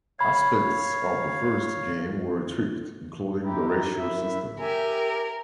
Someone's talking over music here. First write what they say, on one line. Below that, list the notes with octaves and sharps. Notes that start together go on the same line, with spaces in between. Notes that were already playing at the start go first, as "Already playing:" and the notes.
Aspects of the first game were tweaked, including the Ratio system.
C#5 F5 B5 G#6
D#4 E4 G4
F#2 E4 E5
G4 A#4 E5 G#5